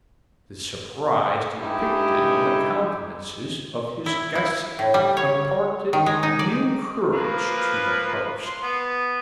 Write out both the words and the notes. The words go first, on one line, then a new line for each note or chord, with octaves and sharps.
The surprise depicted on the countenances of his guests imparted new courage to the host.
G2 G#3 D#4 E4 G4
E4
E4
A2
G3
C#5
D#3
G#3
D#4
D5
F3 A#3 B4
C6
B3